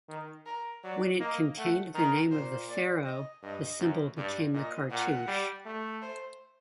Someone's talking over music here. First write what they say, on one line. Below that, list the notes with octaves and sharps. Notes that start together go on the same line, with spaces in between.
When it contained the name of the pharaoh the symbol became the cartouche.
D#3
A#4
F#3 D5
A#3 D#5
A3 F#5
D#3 A#4
A#2 C5
D5
D#5
G2 D#5
F#2
G2 D5
A#2 D#5
A#2 F#5
G3
A3
C5